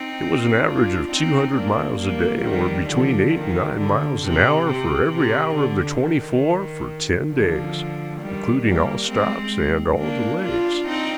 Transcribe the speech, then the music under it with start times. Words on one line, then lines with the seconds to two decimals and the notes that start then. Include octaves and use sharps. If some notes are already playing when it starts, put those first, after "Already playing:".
It was an average of two hundred miles a day, or between eight and nine miles an hour for every hour of the twenty-four for ten days, including all stops and all delays.
Already playing: C4 D#4
0.67 D4 F4
1.11 C4 D#4
1.56 A#3 D4
2.00 G3 A#3
2.44 D#3 G3
2.89 D3 F3
3.34 D#3
3.78 D3
4.22 C3
4.67 C3
5.11 C3
5.55 D3
5.99 D#3
7.33 D3 F3
8.21 D#3 G3
8.65 G3 A#3
9.10 G#3 C4
9.99 A#3 D4
10.43 D4 F4
10.87 C4 D#4